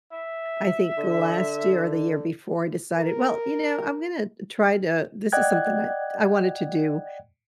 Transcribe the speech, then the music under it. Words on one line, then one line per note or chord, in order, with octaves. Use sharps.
I think last year or the year before I decided, "Well, you know, I'm gonna try to" this is something that I wanted to do,
E5
D3
A#4
D5 D#5 F#5 G5 F#6 G#6